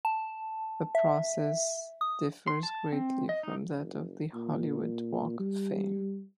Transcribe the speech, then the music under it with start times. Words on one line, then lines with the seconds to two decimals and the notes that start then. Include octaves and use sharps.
The process differs greatly from that of the Hollywood Walk of Fame.
0.05 A5
0.95 E5
2.01 D#6
2.48 C6
2.63 A5
2.92 C4
3.29 D#5
3.43 D#4
3.79 F#1
4.34 A#2
5.40 G3